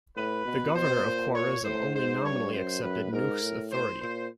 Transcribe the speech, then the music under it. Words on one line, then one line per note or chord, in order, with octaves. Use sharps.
The governor of Khwarazm only nominally accepted Nuh's authority.
A2 B4
B2
B2 C5
A#2
C#5
A2 C5
G#2 C5
G2 C#5
F#2 C5
F#2 B4
G#2 A#4
A2
C5
A#2 C5